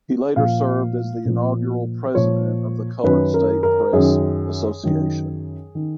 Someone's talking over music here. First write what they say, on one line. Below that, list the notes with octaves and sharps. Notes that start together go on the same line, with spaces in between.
He later served as the inaugural president of the Colored State Press Association.
A#2 F3 F5
A#2 F3
A#2 F3 C#5
F#2 D#3 B4
A#4
A#4
F#2 D#3 G#4
F#2 D#3
D#3